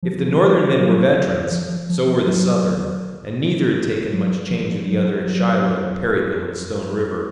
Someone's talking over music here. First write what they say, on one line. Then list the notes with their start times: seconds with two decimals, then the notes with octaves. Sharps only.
If the Northern men were veterans, so were the Southern, and neither had taken much change of the other at Shiloh, Perryville and Stone River.
0.03 F3
0.27 F3
0.52 F3
0.77 F#3
1.51 F3
1.89 F3
2.26 F#3
4.13 F#3
4.50 F3
4.87 F#3
5.25 F#3